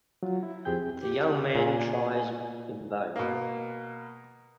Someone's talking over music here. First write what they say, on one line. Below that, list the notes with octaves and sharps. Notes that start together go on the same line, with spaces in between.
The young man tries in vain.
F#3 F4
E4
F2 C4 G4 G#4 G5 G6
G4
A#2 G#5
B2 A#3